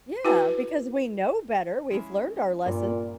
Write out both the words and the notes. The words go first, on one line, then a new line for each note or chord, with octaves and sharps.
Yeah, because we know better, we've learned our lessons
E4 F#4 B4
G#3 C#4 E4
G2 A#2